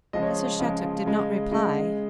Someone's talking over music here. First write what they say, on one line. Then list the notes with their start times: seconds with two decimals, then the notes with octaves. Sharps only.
Mrs. Shattuck did not reply.
0.13 C#3 F3 G#3 D#5
0.23 C#5
0.31 D#5
0.60 C#3 F3 G#3
1.06 C#3 G#3
1.51 C#3 G#3